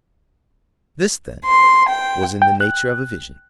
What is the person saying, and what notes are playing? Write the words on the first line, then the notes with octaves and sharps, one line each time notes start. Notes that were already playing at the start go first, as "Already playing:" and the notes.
This, then, was in the nature of a vision.
C6
G5
G5
F#6